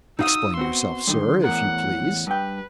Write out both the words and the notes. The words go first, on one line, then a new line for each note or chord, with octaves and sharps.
"Explain yourself, sir, if you please."
D#4 F#4 F5 D#6 E6
B3 C4 F#4 C6
G2 D3 D#3
E2 A2 A#4 F#5
G2 B4 G5